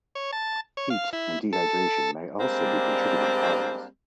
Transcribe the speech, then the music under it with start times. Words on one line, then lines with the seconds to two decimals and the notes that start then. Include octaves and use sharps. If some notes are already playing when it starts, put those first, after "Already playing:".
Heat and dehydration may also be contributing causes.
0.15 C#5
0.33 A5
0.77 C#5
0.90 F5
1.13 E4
1.53 A4
2.39 G3 G#3 A#3 C4 D4